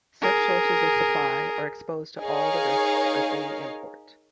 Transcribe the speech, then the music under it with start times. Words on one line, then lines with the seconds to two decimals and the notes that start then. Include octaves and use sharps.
Such sources of supply are exposed to all the risks of any import.
0.22 G#4 A#4
2.21 D#4 G#4 A#4 C#5 F5